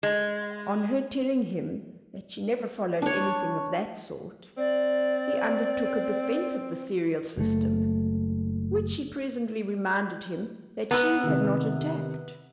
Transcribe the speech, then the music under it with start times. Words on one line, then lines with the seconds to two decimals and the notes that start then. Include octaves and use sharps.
On her telling him that she never followed anything of that sort, he undertook a defence of the serial system, which she presently reminded him that she had not attacked.
0.03 G#3
3.02 D4 C#5
4.57 C4 D5
7.37 F#1 A3
10.91 B3 B4 A#5 E6
11.24 C3 D#3